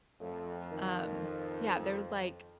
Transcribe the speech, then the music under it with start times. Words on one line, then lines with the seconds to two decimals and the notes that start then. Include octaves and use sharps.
Um, yeah, there was like,
0.21 F2 A3
0.72 D#3